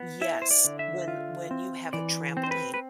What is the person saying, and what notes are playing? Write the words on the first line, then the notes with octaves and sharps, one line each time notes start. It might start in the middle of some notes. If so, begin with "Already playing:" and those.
yes, when when you have a trampoline
Already playing: B3
E4 E5
C5
D5
D3
E5
F4
C4
E3 D5
C4
C5
B4
B4